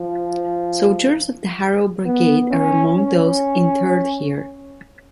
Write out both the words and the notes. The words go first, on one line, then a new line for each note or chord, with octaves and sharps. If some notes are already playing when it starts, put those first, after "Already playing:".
Soldiers of the Harel Brigade are among those interred here.
Already playing: F3
B3
C#4
C#4